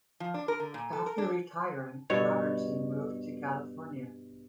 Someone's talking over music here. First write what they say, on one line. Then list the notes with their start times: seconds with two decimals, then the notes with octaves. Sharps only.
After retiring, Robertson moved to California.
0.20 F3
0.34 D4
0.48 A#4
0.60 D3
0.74 A#2
0.93 A4
1.06 A#4
1.18 D4
2.10 G2 B2 C#5